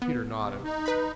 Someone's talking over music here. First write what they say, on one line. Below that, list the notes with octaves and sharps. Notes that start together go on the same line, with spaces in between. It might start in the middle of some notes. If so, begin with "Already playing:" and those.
Peter nodded.
B3
C3
D#4
B4 B5